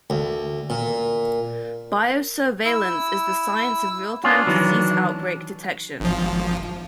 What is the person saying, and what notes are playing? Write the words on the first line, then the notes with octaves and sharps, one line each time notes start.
Biosurveillance is the science of real-time disease outbreak detection.
D2
A#2
E4 E6
B3 C#4 D4 F4
D#3 E3 F#3
G#1 F3